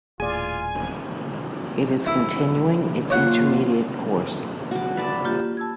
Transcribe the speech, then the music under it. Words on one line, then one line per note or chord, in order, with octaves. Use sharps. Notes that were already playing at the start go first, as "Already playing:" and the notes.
It is continuing its intermediate course.
D#1 A2 F4 G#4 D5 G#5
E4
A#3 F4 C#5 F#5
F#4 D6
B4 D5 A5
A#3 F4 G4
A5 E6 G#6